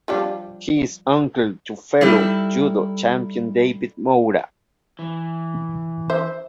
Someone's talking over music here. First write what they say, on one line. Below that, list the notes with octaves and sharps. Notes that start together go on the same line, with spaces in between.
He is uncle to fellow judo champion David Moura.
F3 G3 D4
G3 D#4 E4 A4
E3
C5 E5